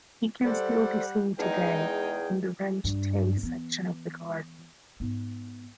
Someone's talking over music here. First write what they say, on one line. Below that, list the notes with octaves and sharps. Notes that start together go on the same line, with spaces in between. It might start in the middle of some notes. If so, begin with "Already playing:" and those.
It can still be seen today in the Renchitei section of the garden.
G3 A4 C5 D5 F#5
E2 G#3 D#4 G#4 G5 G#5
G2
E3 B3
G#2 B3